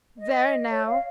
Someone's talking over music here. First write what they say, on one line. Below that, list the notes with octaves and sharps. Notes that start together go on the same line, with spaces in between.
There now!'
D#5
C#5
F5